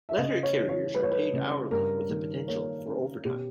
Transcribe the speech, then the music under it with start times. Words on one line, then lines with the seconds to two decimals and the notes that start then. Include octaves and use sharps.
Letter carriers are paid hourly with the potential for overtime.
0.09 E5
0.18 C#3 D#5
0.43 C#5
0.56 E3
0.69 C#5
0.94 G3 B4
1.03 C#5
1.11 B4
1.33 C#3
1.71 G2 A#4
2.09 D#3
2.48 A#3 C#5
2.86 C#4
3.25 B2 G4